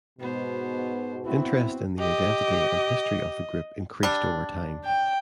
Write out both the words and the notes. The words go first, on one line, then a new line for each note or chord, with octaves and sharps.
Interest in the identity and history of the group increased over time.
G#2 B2 B3 C5
B3 C4 E4 F#4
G4 D#5
G3 D4
G5